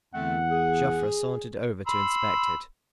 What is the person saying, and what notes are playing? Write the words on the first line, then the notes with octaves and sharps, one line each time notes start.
Joffre sauntered over to inspect it.
E2 D3 A3 C4 F#5
G#4
B5 C6 E6